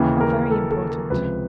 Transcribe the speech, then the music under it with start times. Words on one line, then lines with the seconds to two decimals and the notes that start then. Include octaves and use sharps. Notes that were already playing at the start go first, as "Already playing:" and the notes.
"Oh! very important."
Already playing: D#2 C#3 E3
0.21 A#4
0.51 A4
0.71 A4
0.91 A#4
1.10 C#2 C3 F3 B4